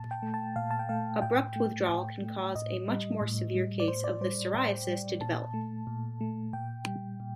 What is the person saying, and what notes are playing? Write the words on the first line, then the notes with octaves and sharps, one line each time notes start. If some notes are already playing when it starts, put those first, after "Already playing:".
Abrupt withdrawal can cause a much more severe case of the psoriasis to develop.
Already playing: A#2 A5
G5
A3
A5
A#2 F5
A5
G5
A3 F5
A2 G5
A3
A2
A3
A2 D#5
G3
A2
G3
D5
A2 C5
D5
G3 C5
A2 G5
G3
A#2 A5
A3
A#2
A3
A#2 G5
G3
A#2